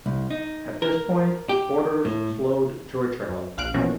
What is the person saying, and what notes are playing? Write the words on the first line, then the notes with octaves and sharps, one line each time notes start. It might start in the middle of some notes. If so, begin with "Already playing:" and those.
At this point orders slowed to a trickle.
C2
D#4
A#4
G4
A2
F#2
A#1 F5 F#6 D7
B2 E3 F3 A#3 C#4 F#4